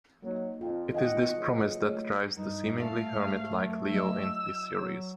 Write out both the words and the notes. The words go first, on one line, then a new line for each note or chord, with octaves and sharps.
It is this promise that drives the seemingly hermit-like Leo in this series.
F#3 A#3 D#4
F2 C4 F4 F5 G5
D#3 D#5 F5 F#5 G#5
F#1
A3 C#5
G2 D#4
A3 A4 F5
G#2
F#2
F#3 E4 D#5 E6
F#3